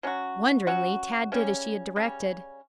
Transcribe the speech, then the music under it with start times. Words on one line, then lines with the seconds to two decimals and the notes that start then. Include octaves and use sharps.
Wonderingly, Tad did as she had directed.
0.03 F#3 C#4 F#4
0.67 F#3 C#4 F#4
1.32 C#3 G3 C#4
1.96 C#3 G3 C#4